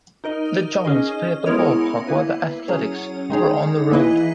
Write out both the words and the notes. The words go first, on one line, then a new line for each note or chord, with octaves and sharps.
The Giants played at the ballpark while the Athletics were on the road.
D#4 A#4 D#5
C#4 G#4 D#5
G#3 B3 E4 A#4 C#5
A#3 E4 B4
F#3 C#4 G#4 C#5
D#3 G#3 D#4 G#4 C#5
E3 A#3 E4 B4 D#5